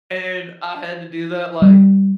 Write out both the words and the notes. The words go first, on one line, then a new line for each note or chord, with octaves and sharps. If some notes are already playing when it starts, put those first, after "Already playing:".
and I had to do that, like,
G3